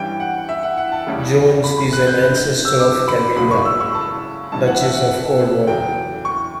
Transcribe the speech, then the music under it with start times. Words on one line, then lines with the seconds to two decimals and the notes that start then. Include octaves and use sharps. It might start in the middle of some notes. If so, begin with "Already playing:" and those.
Jones is an ancestor of Camilla, Duchess of Cornwall.
Already playing: G2 E3 G3 C#4 G5
0.20 F#5
0.49 E5
0.63 F#5
0.77 F#5
0.92 A5
1.07 E2 C#3 G3 C#4 E4
1.64 B5
1.78 B5
1.93 F#6
2.07 G6
2.21 F#2 D3 A3 F#6
2.36 G6
2.65 E6
2.79 D6
3.08 B5
3.36 C#2 C#3 F#3 B5
3.51 C#6
3.65 E6
3.80 C#6
3.94 A5
4.52 G2 E3 G3 C#4 A5
4.67 F#5
4.81 E5
4.95 F#5
5.67 E2 C#3 F#3 A3 G5
6.25 C#6